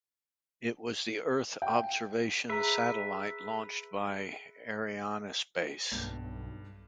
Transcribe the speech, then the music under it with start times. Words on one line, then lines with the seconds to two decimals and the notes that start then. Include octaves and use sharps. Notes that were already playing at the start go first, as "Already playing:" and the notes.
It was the Earth observation satellite launched by Arianespace.
1.62 G5
2.50 G#4 B4 E5 A#5
5.92 B1 G2